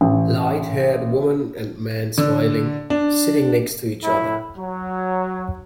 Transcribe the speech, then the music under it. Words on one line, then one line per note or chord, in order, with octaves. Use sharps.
Lighthaired woman and man smiling, sitting next to each other.
A1
D3
D4
A2 E4
F#3